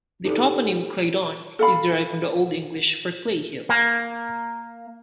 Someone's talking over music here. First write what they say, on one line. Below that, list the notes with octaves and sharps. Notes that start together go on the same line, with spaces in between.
The toponym "Claydon" is derived from the Old English for "clay hill".
D#4 G4 A4 B4 D5
A4 F5 B5
A#3